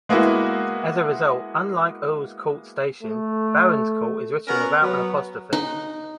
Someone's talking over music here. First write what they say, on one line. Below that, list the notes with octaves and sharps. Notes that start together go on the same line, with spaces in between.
As a result, unlike Earl's Court station, Barons Court is written without an apostrophe.
G#3 A#3 B3 E4 F#4
A3
B3 C#4 F#4 A#4
F#3 B3
D#4